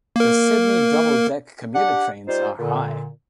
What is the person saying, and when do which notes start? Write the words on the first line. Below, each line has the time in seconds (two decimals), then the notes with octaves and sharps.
The Sydney double deck commuter trains are high.
0.16 A#3 A#4
1.74 D4 G4 F#5
2.28 G3 D#4 F4 C5
2.59 A#2 D3